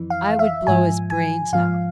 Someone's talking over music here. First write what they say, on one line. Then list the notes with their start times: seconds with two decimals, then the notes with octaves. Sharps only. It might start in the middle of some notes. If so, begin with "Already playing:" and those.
'I would blow his brains out.'
Already playing: F2 E3
0.10 F5
0.39 E5
0.67 G#2 F3 G#5
1.10 G#5
1.53 G#2 F3 F5